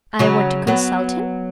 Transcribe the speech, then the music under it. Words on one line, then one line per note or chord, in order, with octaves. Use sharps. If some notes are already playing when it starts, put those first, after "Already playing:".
"I want to consult him?"
C#3 F#3
F#3 B3